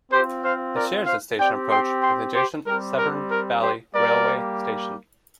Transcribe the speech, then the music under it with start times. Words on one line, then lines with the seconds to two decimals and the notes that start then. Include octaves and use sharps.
It shares its station approach with the adjacent Severn Valley Railway station.
0.11 C4 F4 G4 C5
0.43 C5 F5
0.75 A#4 D5
1.06 C5 F5
1.39 C4 G4 D5 G5
1.70 G5 C6
2.02 G5 C6
2.35 G4 C5
2.67 G3 C4 G4 A#4
2.98 A#4
3.31 A#4
3.62 G4 C5
3.94 G3 A#3 G4 A#4 D5